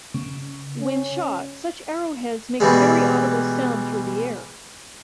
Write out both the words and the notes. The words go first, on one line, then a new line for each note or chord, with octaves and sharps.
When shot, such arrowheads make a very audible sound through the air.
C#3
C#4
B2 E3 G3 G#3